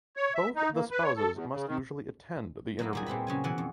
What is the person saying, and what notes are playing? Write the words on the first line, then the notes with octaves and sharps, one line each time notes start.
Both the spouses must usually attend the interview.
C#5
E5
D#4
A#3
B4
C#5
A4
E2
C#3
D#3
F#3 A#3 D#4 E4
A#2 G3 G#4
A#2 C4 E4 B4
C#3 F#3 G#5
B2 E3 F#5
F2